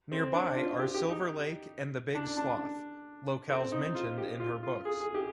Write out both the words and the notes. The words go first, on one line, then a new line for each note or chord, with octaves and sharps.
Nearby are Silver Lake and the Big Slough, locales mentioned in her books.
C4
D4
F4
G4
G4
D#4
D4
D4
C4
D#4
F4
G4
F4
F4
G#4
G#4
G4